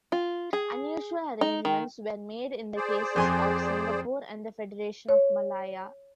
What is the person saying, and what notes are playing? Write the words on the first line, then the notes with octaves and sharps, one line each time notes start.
Unusual arrangements were made in the cases of Singapore and the Federation of Malaya.
F4
G#4
D#4
D#3
G#4 C5 D5
F2 G#5 C6
C#5